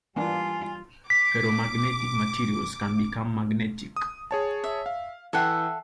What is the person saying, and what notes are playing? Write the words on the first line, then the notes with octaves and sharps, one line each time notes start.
Ferro-magnetic materials can become magnetic.
E3 G3 A#3 D4 F4 G#5
D6 B6
D#6
G#4 C#5 A5
E5
F5
E3 A4 E5 F#5 G5 C7